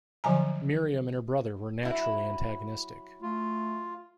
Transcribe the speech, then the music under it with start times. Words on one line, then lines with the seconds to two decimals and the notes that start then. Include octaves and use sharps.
Miriam and her brother were naturally antagonistic.
0.24 D3 F3 F#3 G#5 A#5
1.83 F#3 E4
3.22 A3 F4